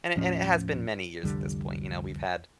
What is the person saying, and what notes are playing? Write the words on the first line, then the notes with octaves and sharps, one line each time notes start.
and it and it has been many years at this point, you know, we've had
D#2 A2 F3 C#4
C2 F2 D3 G3